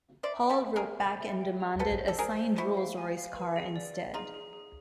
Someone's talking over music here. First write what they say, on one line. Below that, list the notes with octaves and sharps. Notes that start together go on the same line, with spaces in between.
Hall wrote back and demanded a "signed Rolls-Royce car" instead.
C5 D5 E5
G5
G4 A4
E5
G#4 A#4
E5
G5
E5
G5
A#5
A4 B4 C5
C5
A4
G#4 A#4 C5
C5
E4 F#4 C5
F5
G#5
F5
B4
G#4
D5
D5
D#4 F4 G#4
G#4
G#4